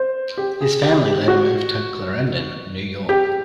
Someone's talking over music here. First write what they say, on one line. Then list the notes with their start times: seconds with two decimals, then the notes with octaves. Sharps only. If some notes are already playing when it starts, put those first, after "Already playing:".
His family later moved to Clarendon, New York.
Already playing: C5
0.38 G4
0.61 G#4
0.83 G4
1.05 G4
1.28 F#4
3.09 G4